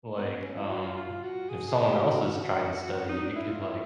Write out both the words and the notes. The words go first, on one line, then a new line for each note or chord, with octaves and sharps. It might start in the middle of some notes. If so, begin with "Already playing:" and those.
like, um, if someone else is trying to study, it could, like
B3
C#4
E4
F#4
F4
F4
F#4
G#4
G#4
G4
F#4
D#4
D4
E4
F4
E4